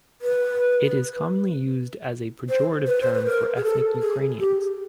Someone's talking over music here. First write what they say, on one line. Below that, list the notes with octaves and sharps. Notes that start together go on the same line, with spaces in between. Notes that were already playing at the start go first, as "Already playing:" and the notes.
It is commonly used as a pejorative term for ethnic Ukrainians.
B4
C5
B4
C5
B4
A#4
G#4
A4
G#4
G4